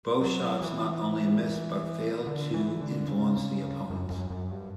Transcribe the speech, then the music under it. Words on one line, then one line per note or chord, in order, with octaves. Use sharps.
Both shots not only missed but failed to influence the opponents.
F#3
E3
D3
E3
D3
C#3
F#2
F#2
F#2
G2